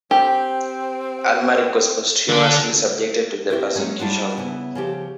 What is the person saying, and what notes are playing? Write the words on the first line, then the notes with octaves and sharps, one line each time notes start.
Almaric was posthumously subjected to the persecution.
C4 G4
D3 D4
C4 E4 F#4 G4 A#4
F#3 G#3 A#3 C#4
G3 D4 F4 F#4
C#3 B3 E4
C#3 F3 G4